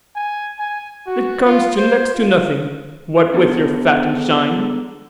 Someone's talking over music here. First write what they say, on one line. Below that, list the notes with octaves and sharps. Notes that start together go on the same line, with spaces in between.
It comes to next to nothing--what with your fat and shine.
G#5
G#5
F#4
F4
C5
F4
B3 D4 G#4 A4 C5